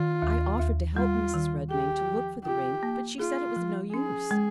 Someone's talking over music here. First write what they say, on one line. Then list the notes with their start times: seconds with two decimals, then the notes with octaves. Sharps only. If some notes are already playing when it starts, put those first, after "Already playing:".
I offered to help Mrs. Redmain to look for the ring, but she said it was no use.
Already playing: D#3 F4
0.22 D#2
0.59 D#2
0.96 G3 F4
1.34 D#3
1.70 G4 G#4
2.08 F3
2.45 F4 G4
2.83 A#3
3.20 F4 G#4
3.56 F3
3.94 C#4 G#4
4.31 G#3